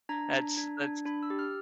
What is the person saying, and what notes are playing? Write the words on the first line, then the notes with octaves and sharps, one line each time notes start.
That's that's,
D4 A#5
D4
D4
D4
D4 B5
E6
G4
F6